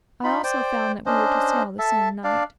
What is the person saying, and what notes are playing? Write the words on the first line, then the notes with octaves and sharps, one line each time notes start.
I also found that we were to sail the same night.
D#4 F4 B5
C5 D5 G5
C#4 D4 C5 D#5
A4 E5 A5
D4 D5 F5